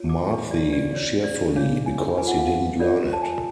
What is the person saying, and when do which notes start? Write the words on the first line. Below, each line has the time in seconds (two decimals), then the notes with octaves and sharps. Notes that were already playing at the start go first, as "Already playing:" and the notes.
Marthe, cheerfully. — Because he didn’t learn it.
Already playing: F4 C#5
0.09 D6
0.31 D4 G#4 B4 C#6
0.51 D5
0.73 D5
0.93 F#4 C#5 D5
1.24 D5
1.56 D4 G#4 C#5 F5
1.86 G#5
2.18 F4 G#4 B4 G#5
2.27 F#5
2.39 F5
2.48 F#5
2.80 F4 A4 C#5 D5
3.13 A5
3.22 G#5